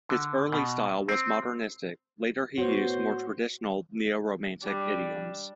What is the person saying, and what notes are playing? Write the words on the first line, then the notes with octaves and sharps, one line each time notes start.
His early style was modernistic, later he used more traditional neo-Romantic idioms.
D3
B2
C4
A2 B3 F#4 C5 C#5
G3 D4